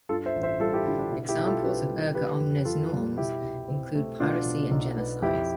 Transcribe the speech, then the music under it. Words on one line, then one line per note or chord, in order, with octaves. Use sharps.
Examples of erga omnes norms include piracy and genocide.
G2 F4 A4
C5 E5
A1
C5 E5
G3 F4 A4
E4 G4
D3 E4
D4
B2 E4
E4 G4
B1
F4 A4
C4 G4 B4
G3
E3 G4 B4
F2
F2 F4 A4
G3
B2 E4 G4
C2
C4
A3
B2 D4 F4
B1
B1
B3
F2 E4 G4